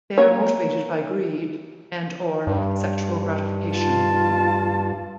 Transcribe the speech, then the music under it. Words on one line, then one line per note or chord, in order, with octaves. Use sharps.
They are motivated by greed and or sexual gratification.
A#3 C#5
G2
F4 A5